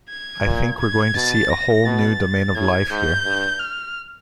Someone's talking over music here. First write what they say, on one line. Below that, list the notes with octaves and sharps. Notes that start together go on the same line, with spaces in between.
I think we're going to see a whole new domain of life here.
G#6
A#2
G#6
B2 A6
A#6
B2 A6
A2 G#6
G#2 G6
G2
F6